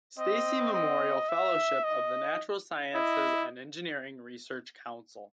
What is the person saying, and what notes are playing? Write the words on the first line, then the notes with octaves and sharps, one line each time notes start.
Steacie Memorial Fellowship of the Natural Sciences and Engineering Research Council.
C4 D#5
D#5
E5
D#5
E4 D#5